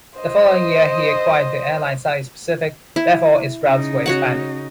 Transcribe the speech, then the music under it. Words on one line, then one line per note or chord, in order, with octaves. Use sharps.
The following year he acquired the airline Southeast Pacific, therefore its routes were expanded.
C5 D#5
E4
C#3 D#4
F#4 C#5 F#5